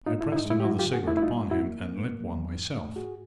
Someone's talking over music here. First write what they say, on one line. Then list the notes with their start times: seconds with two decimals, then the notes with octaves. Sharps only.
I pressed another cigarette upon him and lit one myself.
0.06 G#2 D#4 F4
0.21 E4
0.26 G#2
0.32 E4
0.36 D#4
0.45 G#3 E4
0.60 G4
0.64 F#3 E4 F#4
0.79 F4 G4
0.84 D3
0.93 F#4 G#4
1.04 A3 E4
1.17 E4
1.22 G3 D#4 F4
1.41 F#2
1.51 E4 F#4
1.60 A#3
1.80 A#3
1.99 A#3
2.19 F#3
2.37 E3
2.57 G#2
2.77 A3
2.96 G#2 F#4 G#4